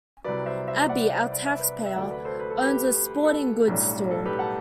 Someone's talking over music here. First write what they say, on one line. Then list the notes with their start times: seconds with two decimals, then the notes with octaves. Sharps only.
Abby, our taxpayer, owns a sporting goods store.
0.24 C2 C3 F#3 B4 D5
0.46 C5 E5
0.67 C5 E5
0.89 D5 F#5
1.10 C5 E5
1.32 D5
1.46 E5
1.59 B4 D5
1.86 E5
1.96 D2 D3 F#3 A3 D5 F#5
2.11 B4 D5
2.25 A4 C5
2.40 B4
2.50 A4
2.62 G4 B4
3.25 A4
3.67 B1 A2 G3 D4
4.11 A4
4.26 G4 B4
4.39 F#5 A5